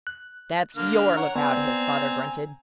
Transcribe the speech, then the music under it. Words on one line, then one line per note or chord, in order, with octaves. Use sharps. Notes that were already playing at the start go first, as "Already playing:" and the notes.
"That's YOUR lookout!" his father grunted.
F#6
D3 A#3 F6
A#4 C#5 F#5
B3 C4 D5 G#5 A#5